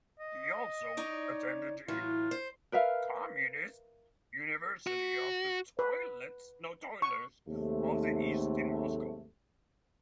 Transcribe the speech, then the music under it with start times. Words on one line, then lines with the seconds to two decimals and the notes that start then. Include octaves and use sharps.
He also attended the Communist University of the Toilers of the East in Moscow.
0.19 D#5
0.97 D#4 C#5 D5
1.88 A2 E3 F#3 F4
2.31 C5
2.72 A#4 B4 E5 F5
4.87 F#4
5.79 B4
7.02 C#6
7.48 D#2 G#2 C3 A3